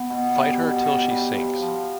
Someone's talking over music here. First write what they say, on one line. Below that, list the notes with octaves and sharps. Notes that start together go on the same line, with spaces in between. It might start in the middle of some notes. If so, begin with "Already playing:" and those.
Fight her till she sinks.
Already playing: B3
B2
G3
B2
G3
G3
F3
F3